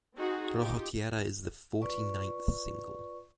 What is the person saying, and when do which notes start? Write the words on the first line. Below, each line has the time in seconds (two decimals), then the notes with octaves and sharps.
Rojo Tierra is the forty ninth single.
0.16 C4 D#4 F#4 G#4
0.60 D#4 F4 G4
1.82 F4 B4 D5 C#6